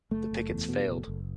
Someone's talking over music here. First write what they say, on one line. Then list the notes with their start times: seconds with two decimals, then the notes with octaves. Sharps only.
The pickets failed.
0.11 F#1 A3
0.31 F#1
0.49 E2
0.68 B2
0.88 F#1
1.08 F#1